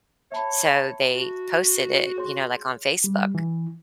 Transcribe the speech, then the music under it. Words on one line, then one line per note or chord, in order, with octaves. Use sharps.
so they posted it, you know, like on Facebook,
C#5 E5 A5 B5
F#4
G#4 C#5 C6
G3
E3